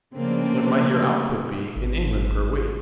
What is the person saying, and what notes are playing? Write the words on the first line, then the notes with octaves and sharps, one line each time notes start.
What might your output be in England per week?
C#3 F3 A3 A#3 C4 D4
G#1